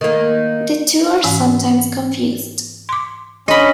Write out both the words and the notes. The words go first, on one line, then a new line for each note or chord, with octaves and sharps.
The two are sometimes confused.
D#3 A#3
G#2 E3 C#4
C6 D6
C#4 D4 D#5 B5